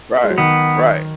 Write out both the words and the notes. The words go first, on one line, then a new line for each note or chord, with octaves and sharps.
right. Right.
G#3
F#3
D#3 B3